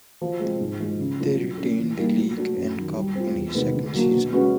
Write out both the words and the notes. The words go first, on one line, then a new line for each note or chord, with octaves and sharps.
They retained the League and Cup in his second season.
F3
G#3 C4
G#2
F3 G#3
C#3
F#3 A3 D4 F4
F#3
A3 C#4
E3
G3 A#3 D#4
F#3
A3 D4 F#4
F#2
D#3 F#3
G3
C4 F4
E2
C3 D#3 G#3 B3
D3
F#3 A#3 D4 F#4
B2
G#3 C#4 F#4 B4